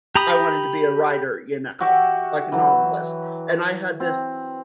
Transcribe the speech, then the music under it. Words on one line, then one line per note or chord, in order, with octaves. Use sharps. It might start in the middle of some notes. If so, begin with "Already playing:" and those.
I wanted to be a writer, you know, like a novelist, and I had this
G4 A#5 B5 D#6
F#4 G4 E5 C#6
E3 F#3
C4